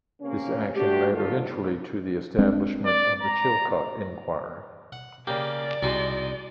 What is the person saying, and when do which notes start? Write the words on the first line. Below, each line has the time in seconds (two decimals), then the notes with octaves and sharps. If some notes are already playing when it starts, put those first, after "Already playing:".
This action led eventually to the establishment of the Chilcot Inquiry.
0.21 C3 A#3 C#4
0.75 A3 D4 F#4 G4
1.13 D3 D#3 F#3 F4 A4
2.39 G#3 C4 D4
2.86 D5
3.23 A#5
4.92 F#5
5.27 C#3 A#3 G4 D5
5.83 C2 G#3 D#4 F#4